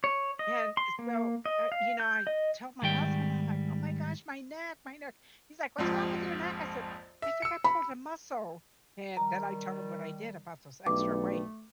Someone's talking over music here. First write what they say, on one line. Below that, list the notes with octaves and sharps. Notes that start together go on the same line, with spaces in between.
And so, uh, you know, I told my husband, I'm like, "Oh my gosh, my neck. My neck." He's like, "What's wrong with your neck?" I said, "I think I pulled a muscle." And then I told him what I did about those extra weight.
C#5
D#5
C6
A#3
D#5
F5
G6
D#5
G#2 D#3 G3 G5
A#1 F2 G#2
E5
E6 C#7
B5
D#3 G3 A#5
B1 G2 A3 D6